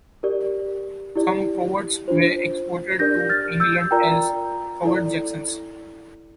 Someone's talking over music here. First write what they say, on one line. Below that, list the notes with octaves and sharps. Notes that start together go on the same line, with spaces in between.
Some Coverts were exported to England as Covert-Jacksons.
G4 A#4 D5
E4 G4 D5
D4 F4 C5
D4 G4 A#4 D5 G6 A#6
F6 A6
E6 G6
F4 A#4 D5 G5 A#5
E4 A4 D5